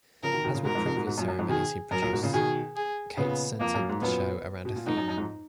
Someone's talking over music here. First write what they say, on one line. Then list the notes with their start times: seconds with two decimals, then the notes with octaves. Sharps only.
As with previous ceremonies he produced, Cates centered the show around a theme.
0.23 C#3 F3 A#4
0.33 B2 D#3
0.44 B2 D#3
0.54 A#2 C#3
0.65 G#2 B2 A#4
0.75 F2 G#2
0.86 F2 G#2
0.96 G#2 B2
1.07 G#2 B2
1.18 F#2 A#2
1.28 F#2
1.38 F2 G#2
1.49 B2 D#3 G#4
1.91 F#2 A#4
2.02 F#2 A#2
2.13 G#2 B2
2.23 A#2 C#3
2.33 B2 D#3 G#4
2.76 G#4
3.17 A#2 C#3 B3
3.60 F2 A#3
3.74 F#2
3.89 G#2
4.02 F#2 A#2 B3
4.65 B2
4.76 A#2
4.86 F2 G#2 D#4
4.97 F#2
5.08 F#2
5.18 F2 G#2